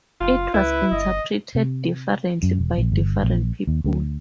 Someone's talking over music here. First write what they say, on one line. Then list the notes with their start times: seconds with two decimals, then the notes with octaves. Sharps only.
It was interpreted differently by different people.
0.21 F#1 F4
0.54 C#2 E4 B4
0.91 G1 D#5
1.55 C3
2.43 F#2
2.59 E1
2.78 A#1
2.92 G1
3.23 A#1
3.67 D#2
3.84 D2